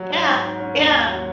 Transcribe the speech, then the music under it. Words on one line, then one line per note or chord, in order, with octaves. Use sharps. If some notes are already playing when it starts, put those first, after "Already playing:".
Yeah. Yeah.
Already playing: F#3
G#2
G#2
G#2
C#4
D#2
C#4
F#3